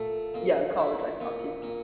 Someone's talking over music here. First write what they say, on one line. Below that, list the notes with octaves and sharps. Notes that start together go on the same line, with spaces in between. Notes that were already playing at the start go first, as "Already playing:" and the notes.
Yeah, college ice hockey.
Already playing: A#2 A3
A#2
E4
A#2
A#2